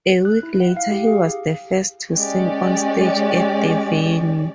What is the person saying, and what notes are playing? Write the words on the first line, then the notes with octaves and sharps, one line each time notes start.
A week later he was the first to sing on stage at the venue.
F#6
E4
F#5
F5
G4
G#4
G#3 C#4 G4 D5